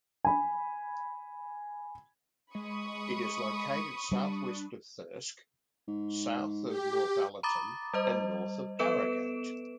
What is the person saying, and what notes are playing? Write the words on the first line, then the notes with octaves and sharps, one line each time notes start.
It is located south-west of Thirsk, south of Northallerton and north of Harrogate.
G#5 B5
G#3 B5 C#6 D#6
G3 D4
G#2
G4
A#5 B5 D6 D#6 A6
G3 C5 D#5
B3 A4 B4 D7 E7